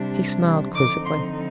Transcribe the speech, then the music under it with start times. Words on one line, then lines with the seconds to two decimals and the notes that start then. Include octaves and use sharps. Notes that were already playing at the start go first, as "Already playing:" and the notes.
He smiled quizzically.
Already playing: C3 G3 D4
0.75 D3 F3 C4 D#4 D6
1.05 C6